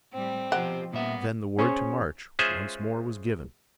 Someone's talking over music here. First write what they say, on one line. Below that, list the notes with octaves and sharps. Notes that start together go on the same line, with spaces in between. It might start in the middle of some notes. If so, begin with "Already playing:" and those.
Then the word to march once more was given.
A2 G3 C4
B2 F3 F4 G4 C5 F#5 G5
A#2 G3 A#3 B3 C#4 E5
C#4 G#4 C5 C#5
G#3 C#4 F4 G#4 C5 E5